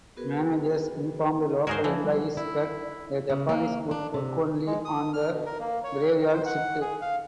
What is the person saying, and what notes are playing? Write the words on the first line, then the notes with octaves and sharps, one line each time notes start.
Managers informed local employees that the Japanese would work only on the graveyard shift.
B3 F#4 G#4 A#4 B4
D2 G#2 F#4 G#4 A#4 C5 C#5
E3 F3
G3
E4
C#3
A#3
D4
C3
G#3
D#6
F6
B2
A#4
A#3
C#5
D#3
C5
F#5
G#4
F5